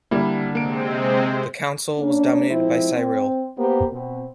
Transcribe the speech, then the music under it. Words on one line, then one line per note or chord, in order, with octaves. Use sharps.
The Council was dominated by Cyril.
D3 G3 A#3 E4
C3 G#3 A#3 C4 D7
A#3 C#4 D4
F3 G#3 C4 E4
C4
A#3 B3 G4 A#4 C5
B2 C4